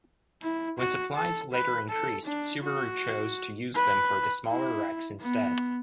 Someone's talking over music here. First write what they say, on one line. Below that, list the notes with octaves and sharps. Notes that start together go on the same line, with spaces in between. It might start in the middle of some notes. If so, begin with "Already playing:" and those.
When supplies later increased, Subaru chose to use them for the smaller Rex instead.
E4
F#4
A4
B4
A4
D4
F#4
B4
E4
B3